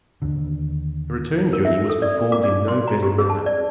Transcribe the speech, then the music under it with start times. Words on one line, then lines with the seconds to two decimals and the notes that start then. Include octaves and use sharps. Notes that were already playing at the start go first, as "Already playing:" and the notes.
The return journey was performed in no better manner.
0.22 D#2 D3
1.53 A#4
1.65 E5
1.90 A4
2.02 D5
2.32 D6
2.43 D5
2.68 C6
2.88 A#5
3.03 G4
3.18 G#4
3.30 A5
3.46 D5